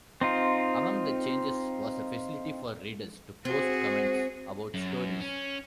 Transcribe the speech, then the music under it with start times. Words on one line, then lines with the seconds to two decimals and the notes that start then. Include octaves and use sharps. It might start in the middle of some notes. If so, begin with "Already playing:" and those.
Among the changes was a facility for readers to post comments about stories.
0.21 C4 D#4 F4
3.45 C4 F#4 G#4
4.74 F#2
5.20 C#4